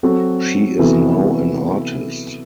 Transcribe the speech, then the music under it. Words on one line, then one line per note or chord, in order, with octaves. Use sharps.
She is now an artist.
F#3 C4 F#4 A4
C3 E3 B3 F#4 A4